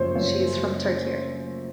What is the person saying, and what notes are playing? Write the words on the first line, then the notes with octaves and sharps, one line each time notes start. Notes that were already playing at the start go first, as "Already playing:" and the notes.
She is from Tokyo.
Already playing: F#1 F#2 F3 C5 C#5
F#1 F#2 F3 C#5